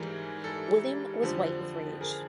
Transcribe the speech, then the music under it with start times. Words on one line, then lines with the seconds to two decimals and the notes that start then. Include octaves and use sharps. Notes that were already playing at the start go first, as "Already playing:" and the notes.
William was white with rage.
Already playing: G#2 E3 G3 G#4 A#4
0.44 A4
1.22 F2 D3 F3
2.01 G#4 A#4